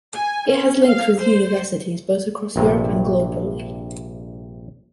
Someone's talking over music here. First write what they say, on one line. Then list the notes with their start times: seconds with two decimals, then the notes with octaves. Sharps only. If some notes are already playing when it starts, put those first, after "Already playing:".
It has links with universities both across Europe and globally.
0.13 G#5
0.50 C#4
0.86 F5
1.19 C5
2.56 A#1 G2 C3